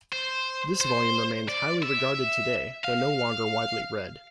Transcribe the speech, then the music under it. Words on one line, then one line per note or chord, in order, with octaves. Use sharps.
This volume remains highly regarded today, though no longer widely read.
C5
C5
D5
E5
F5